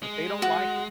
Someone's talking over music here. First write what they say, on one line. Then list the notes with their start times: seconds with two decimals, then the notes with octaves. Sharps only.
But, they don't like it,
0.03 G#3
0.42 F#4